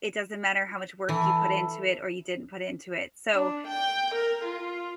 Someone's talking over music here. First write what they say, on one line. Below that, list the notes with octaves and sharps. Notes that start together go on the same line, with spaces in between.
it doesn't matter how much work you put into it or you didn't put into it, so
E3 A4
D4
G5
A#4
F4